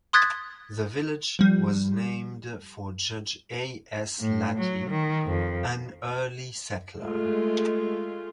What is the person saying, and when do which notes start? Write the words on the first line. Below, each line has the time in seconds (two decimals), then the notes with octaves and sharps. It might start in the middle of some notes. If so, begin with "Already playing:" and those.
The village was named for Judge A. S. Latty, an early settler.
0.13 C6 D#6 F#6 G#6 A6 B6
1.39 F3 G3
4.20 A2
4.58 F#3
4.90 D#3
5.27 F2
6.98 G#3 A3 F4